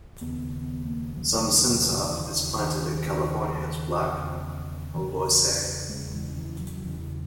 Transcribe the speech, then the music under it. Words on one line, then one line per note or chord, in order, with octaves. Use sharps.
Some Cinsaut is planted in California as Black Malvoisie.
D#2 C#3 B3
B3
A#3
D#2 C#3 F#3
D#2 C#3 E3
D#3
D#2 C#3
E2 C#3
E2 C#3 E3
E2 C#3 G#3
E3
E3
F#3
E2 C#3 E3